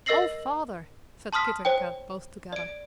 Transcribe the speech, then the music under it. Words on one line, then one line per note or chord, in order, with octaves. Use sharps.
"O Father!" said Kit and Kat both together.
A#4 D#5 E6 A#6 C7 F#7
A5 C6 D#6 F6 B6
C5 C#5 G5
D5 D7